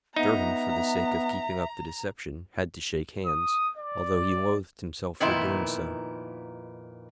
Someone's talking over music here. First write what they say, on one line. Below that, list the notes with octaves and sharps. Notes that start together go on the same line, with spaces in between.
Durham, for the sake of keeping up the deception, had to shake hands, although he loathed himself for doing so.
B3 D#4 E5 A#5
D#6
D5
F2 A#2 D#3 B3 D#4 E4